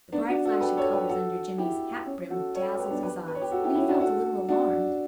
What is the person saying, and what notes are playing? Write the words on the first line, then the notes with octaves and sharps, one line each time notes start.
The bright flash of colours under Jimmy's hat-brim dazzled his eyes, and he felt a little alarmed.
B3 D4
D4 F#4
F#4 A4
G4 B4
A4 C#5
G4 B4
F#4 A4
E4 G4
C#4
F#4 A4
A4 C#5
G4 B4
B3 D4
G4 B4
B4
C#5
G4 B4
F#4 A4
E4 G4
C#4 E4
D4 F#4
F#4 A4
D4 F#4